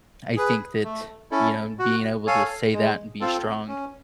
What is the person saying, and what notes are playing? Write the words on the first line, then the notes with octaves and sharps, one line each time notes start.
I think that, you know, being able to say that and be strong is
G#4 B4
A3
C#4 E4 A4
F#4
A4 C#5 F5 G#5
G#3
C4 F4 A4
C#4